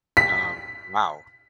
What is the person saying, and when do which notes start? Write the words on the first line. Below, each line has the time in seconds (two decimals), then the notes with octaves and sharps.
Um, wow.
0.17 B6